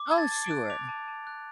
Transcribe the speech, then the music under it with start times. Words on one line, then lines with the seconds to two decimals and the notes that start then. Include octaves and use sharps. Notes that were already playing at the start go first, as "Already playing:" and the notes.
Oh, sure.
Already playing: D6
0.11 A5 G#6
0.18 A6
0.32 A5
0.45 D7
0.51 F#6
0.70 D6 F7
0.88 A5
1.08 A5
1.27 F#6